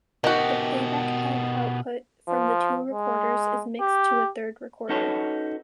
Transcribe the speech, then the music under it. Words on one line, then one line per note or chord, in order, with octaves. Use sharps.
The playback-head output from the two recorders is mixed to a third recorder.
B2 D#3 F#4 G4
F3
G#3
G4
C#4 D#4 F#4 A4 B4 C#5